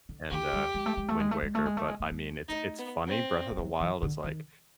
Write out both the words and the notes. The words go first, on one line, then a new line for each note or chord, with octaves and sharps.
and, uh, Wind Waker, but, I mean, it's it's funny Breath of the Wild is, like
D3
D#3 G4
G3
G#3
A3
G#3
A3
G#3
A3
G#3
A3
G#3
A3
G#3
A3
G#3
A3 D#4
B3
C4
G3
F#3
E3
D3
D#3